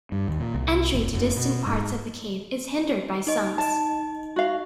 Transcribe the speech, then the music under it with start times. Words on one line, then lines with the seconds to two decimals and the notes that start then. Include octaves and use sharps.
Entry to distant parts of the cave is hindered by sumps.
0.12 G2
0.28 D#2
0.40 A#2
0.54 C2
0.94 F1
1.13 F#1
1.37 B2
1.66 G#2
3.27 D#4 D#5
3.58 A5
4.36 F#4 F5